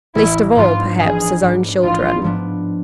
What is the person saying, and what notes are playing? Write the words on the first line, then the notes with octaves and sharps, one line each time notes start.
Least of all, perhaps, his own children.
A1 E4
G#2 F3 B3 D4 F4
A1 G#4
G#2 F3 B3 D4
A1 F4
G#2 F3 B3 D4